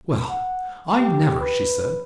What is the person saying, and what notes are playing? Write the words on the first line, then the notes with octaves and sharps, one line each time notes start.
"Well, I never," she said.
F#5
G4
B4